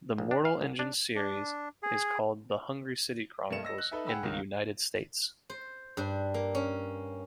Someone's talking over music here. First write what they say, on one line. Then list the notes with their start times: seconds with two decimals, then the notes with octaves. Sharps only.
The Mortal Engines series is called the "Hungry City Chronicles" in the United States.
0.18 A#1
0.31 D4
0.45 F5
0.61 C2
0.79 D4
1.16 D4
1.83 G#4
3.51 G2 A3 A#3 C#7 E7
3.63 D#5 E6 A#6
3.78 F#6
3.91 D#4 A4 B4 E5
4.07 G#4 F#5 G5 B5 E6
4.23 C#2 D#3 F5
5.50 C5
5.97 G2 D4
6.34 A#3
6.55 C#4